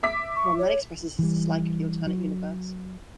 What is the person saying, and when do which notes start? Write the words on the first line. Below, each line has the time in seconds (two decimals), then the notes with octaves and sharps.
Rom then expresses his dislike of the alternate universe.
0.03 E5 D6 B6
0.36 C#6
0.59 C#5
1.19 E3 G3
2.07 F#3